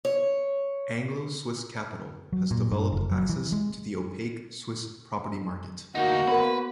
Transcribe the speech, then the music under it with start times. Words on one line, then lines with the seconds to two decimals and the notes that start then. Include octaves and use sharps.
Anglo Swiss Capital has developed access to the opaque Swiss property market.
0.05 C#5
2.32 F#3
2.51 A#2
2.71 G2
2.92 F#1
3.11 F#3
3.29 E3
3.52 G#3
5.95 D2 A#3 D#4 F#4 F#5
6.28 B3 A#4 B4